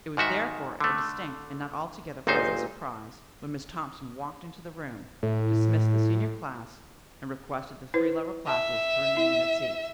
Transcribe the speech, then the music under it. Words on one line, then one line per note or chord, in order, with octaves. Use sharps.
It was therefore a distinct and not altogether pleasant surprise when Miss Thompson walked into the room, dismissed the senior class and requested the three lower classes to remain in their seats.
G#2 D#3 F#4 E5
D3 A3
G1 C#2 A#2 D#4 C5
A2
E4 B4 C5
E5 A5
E4